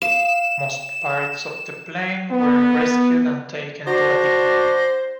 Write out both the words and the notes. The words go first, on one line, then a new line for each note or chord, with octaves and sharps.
Most parts of the plane were rescued and taken to a depot.
F5 E7
B3
D4 F#4 C5 A#6